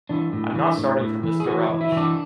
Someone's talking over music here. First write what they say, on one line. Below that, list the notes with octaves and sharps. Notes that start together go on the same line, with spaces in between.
I’m not starting from this garage.
E3 D4
A2
E3
A2
A2
E3
G#4
E3 F#4
E3
E4
E3 D4